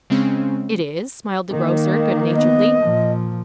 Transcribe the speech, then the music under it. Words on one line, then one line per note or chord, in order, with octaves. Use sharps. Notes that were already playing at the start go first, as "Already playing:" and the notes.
"It is," smiled the grocer, good-naturedly.
C#3 G#3 C4 C#4
D#3 A#3
B3 D#5
A#2 F3